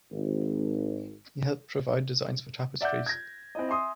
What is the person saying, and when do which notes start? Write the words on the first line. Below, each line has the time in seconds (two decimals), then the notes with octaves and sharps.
He helped provide designs for tapestries.
0.11 G#1
2.81 D5 E5 F#5 D6 G6
3.06 G#6 A#6
3.55 C4 E4 D#5
3.69 E5 G#5 C6 D#6